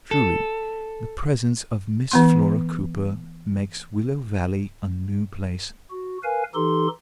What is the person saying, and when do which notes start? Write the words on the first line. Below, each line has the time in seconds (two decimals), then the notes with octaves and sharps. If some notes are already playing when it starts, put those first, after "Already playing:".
Truly, the presence of Miss Flora Cooper makes Willow Valley a new place.
0.11 A4
2.11 E3 B3 C6
5.90 F#4
6.24 A#4 B4 F5 G#5
6.54 E3 D#4 G4 A4 C6